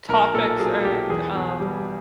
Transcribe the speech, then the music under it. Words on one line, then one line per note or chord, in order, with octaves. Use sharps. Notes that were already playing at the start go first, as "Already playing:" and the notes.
topics and um
B1 A#4
A#2 A4
F#3 G#4
G#4
B1 G4
E2 G#4
B2
G3